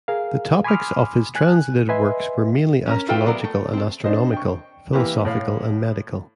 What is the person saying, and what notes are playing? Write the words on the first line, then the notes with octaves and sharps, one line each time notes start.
The topics of his translated works were mainly astrological and astronomical, philosophical and medical.
G#4 A#4 F5
G#5 B5 C6 D6 D#6 F6
G#5 F#6
B4 D#5 E5 G#5 C6
C#4 A#4
E4 F4 A4 B4 E5 G5
F#3 B3 A#4 D5
A3
A3 C4
D4 C5 D#5
G5 C#6
E3 A#3 E4 G4 B4
A2 C#5 F5